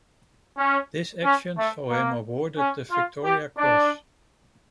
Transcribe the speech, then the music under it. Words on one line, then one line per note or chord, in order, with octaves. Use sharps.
This action saw him awarded the Victoria Cross.
C#4
C#4
A3
A#3
C#4
F4
G4
D4